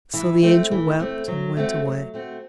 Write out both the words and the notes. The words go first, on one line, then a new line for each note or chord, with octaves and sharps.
So the angel wept and went away.
E3
A3 C4
E3
A3 C4
F#3
A3 C4 F#4
F#3
A3 C4 F#4